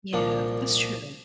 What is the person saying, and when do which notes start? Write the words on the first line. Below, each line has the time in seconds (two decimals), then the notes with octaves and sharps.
Yeah. That's true.
0.13 C2 A#2 F3 A#3 D4